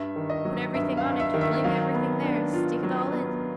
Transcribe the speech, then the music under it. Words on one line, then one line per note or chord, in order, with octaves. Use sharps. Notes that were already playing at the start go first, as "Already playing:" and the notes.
Put everything on it, fling everything there, stick it all in.
Already playing: G2 E5
D#3
D#5
F#3
G2 E5
F5
G2
E5
D#3
E5
F#3 F5
B3
D4
F4
F#3
B3